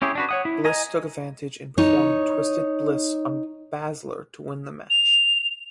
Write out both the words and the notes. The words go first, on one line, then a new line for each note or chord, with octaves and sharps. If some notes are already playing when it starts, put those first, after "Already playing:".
Bliss took advantage and performed Twisted Bliss on Baszler to win the match.
C#4 E4 G4 G#4
D4 F#4 B4
C#5 F#5 D#6
E4
D#5 G#5 A#5
D#4 C#5
F7